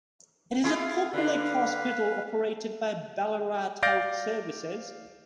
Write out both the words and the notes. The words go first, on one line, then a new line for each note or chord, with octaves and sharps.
It is a public hospital operated by Ballarat Health Services.
E4 F4 G#4
D3 D4 B4 F5
D5 F5 G6 A6 A#6 D7